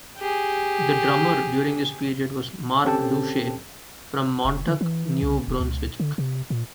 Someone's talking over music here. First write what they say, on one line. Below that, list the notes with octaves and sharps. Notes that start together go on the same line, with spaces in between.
The drummer during this period was Marc Doucet from Moncton, New Brunswick.
G4 G#4
C4 C#4 G4 A4 G5 A5
F1
D3
E3
C2
D#1
C#2
D3
C3
A#2